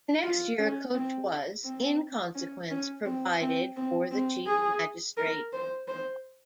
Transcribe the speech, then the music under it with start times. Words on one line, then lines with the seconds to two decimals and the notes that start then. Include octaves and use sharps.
The next year a coach was, in consequence, provided for the chief magistrate.
0.23 F4
0.59 C#4
0.94 C4
1.64 C4
2.35 C#4
2.70 C#4
3.05 C4
3.41 C4
3.77 C4
4.11 C4
4.47 G#4
5.17 A#4
5.53 C5
5.88 C5